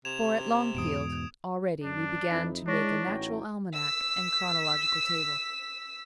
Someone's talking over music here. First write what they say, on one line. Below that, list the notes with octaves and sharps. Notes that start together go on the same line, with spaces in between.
For, at Longfield, already we began to make a natural almanack and chronological table.
C3 G#6 E7 F7
E2 G#2 B2 D#6 D7 E7
F#2 D4
F2 D#4 E4
G#3 D4 C#5 C#6 A#6
A1 F#3 G5 G#5
E6 B6